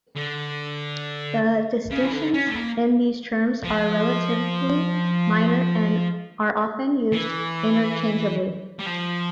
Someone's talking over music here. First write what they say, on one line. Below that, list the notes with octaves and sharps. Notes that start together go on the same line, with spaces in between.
The distinctions in these terms are relatively minor and are often used interchangeably.
D3
C#3
E3
D3
C#4
A3
A#3
F3
E3
G3
F3